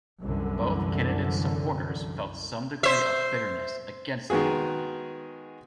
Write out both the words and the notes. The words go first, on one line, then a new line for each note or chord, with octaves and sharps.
Both candidates' supporters felt some degree of bitterness against the other.
C2 F#2 D3 E3
C5 E5
D#3 G#3 B3 F#4 G#4